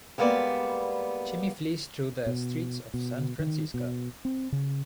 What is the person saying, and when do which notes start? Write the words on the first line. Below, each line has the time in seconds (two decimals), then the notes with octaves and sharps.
Jimmie flees through the streets of San Francisco.
0.18 G3 G#3 A#3 B3 D5
2.26 B2
2.94 B2
3.39 D#3
3.74 B2
4.25 C4
4.52 C#3